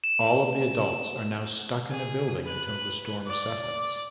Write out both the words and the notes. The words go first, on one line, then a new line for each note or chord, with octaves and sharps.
All of the adults are now stuck in a building until the storm settles.
E7
G#4
B4 F#6
D5